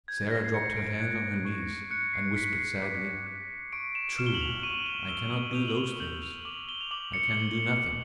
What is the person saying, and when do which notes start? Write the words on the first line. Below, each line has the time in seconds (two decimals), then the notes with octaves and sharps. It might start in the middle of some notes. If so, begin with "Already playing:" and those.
Sarah dropped her hands on her knees, and whispered sadly, "True, I cannot do those things--I can do nothing."
0.08 G6 G#6
0.31 A#6
0.44 C7
0.54 G6 C#7
0.77 D7
1.00 F#6
1.45 C#6
1.91 F#6 C#7
2.14 C7
2.36 C#6 B6
2.58 C7
2.82 D6
3.27 F#6
3.73 C#6 D7
3.95 E7
4.18 F6 E7
4.26 G7
4.34 F#7
4.41 F7
4.63 C#6 D#7
4.86 F#7
5.09 E6 G7
5.32 F#7
5.54 G6 F7
5.68 F#7
5.77 F7
6.00 G6 F#7
6.23 F7
6.45 D6 F#7
6.69 G7
6.81 F7
6.91 D6 F#7
7.13 C#7